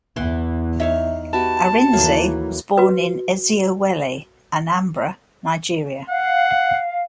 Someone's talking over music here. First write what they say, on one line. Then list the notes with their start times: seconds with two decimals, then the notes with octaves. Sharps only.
Arinze was born in Eziowelle, Anambra, Nigeria.
0.16 E2 E3 C6
0.80 D#4 C#5 E5 F5
1.33 B3 F#4 G4 A5
1.93 D#2 E3 F#3 A3 A#3
2.78 F#4 B4
6.10 F5 F#5